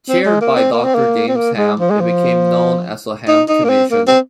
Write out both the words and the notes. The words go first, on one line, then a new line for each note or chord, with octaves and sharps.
Chaired by Doctor James Ham, it became known as the Ham Commission.
C4
G#3
A#3
C4
A#3
C4
A#3
C4
A#3
G#3
F3
G#3
F3
D#4
D#4
A#3
C4
A#3
C4